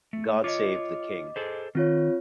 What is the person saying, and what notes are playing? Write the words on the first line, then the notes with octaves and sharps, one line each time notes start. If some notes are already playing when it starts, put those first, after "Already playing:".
God save the King.
A3
F4 C#5 D#5 D6
G#4 A4 C5
D#3 C4 F4 C#5